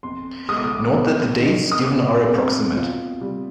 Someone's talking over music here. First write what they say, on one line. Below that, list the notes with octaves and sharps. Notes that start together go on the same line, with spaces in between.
Note that the dates given are approximate.
F2 C6
G#3 D#6
D6
D#6
B3
D#3
D#6
B2 D6
C4
F4
G3